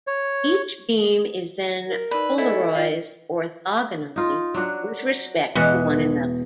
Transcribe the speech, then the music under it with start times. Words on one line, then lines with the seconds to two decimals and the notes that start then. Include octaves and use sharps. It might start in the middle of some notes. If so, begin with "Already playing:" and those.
Each beam is then polarized orthogonally with respect to one another.
0.07 C#5
1.89 A#4
2.11 D#4 B4 D5
2.38 E4 A4 C#5 D#5 G#5
2.73 F4 D5 F5 G5
4.16 D#4 F4
4.54 F#3 D4 F#4
5.55 E2 B2 G#3 F#5